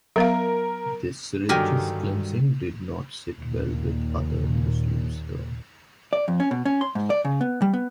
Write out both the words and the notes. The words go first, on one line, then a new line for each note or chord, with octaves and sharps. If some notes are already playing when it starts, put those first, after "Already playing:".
This religious cleansing did not sit well with other Muslims though.
F#3 B3 A#4 F5
G2 D3 D#3 F#3 G3 G4 A#4 G#5
D#2 A#2
D5
F2
C#4
B2
C#4
C6
G#2
D5
C#3
B3
G3
B3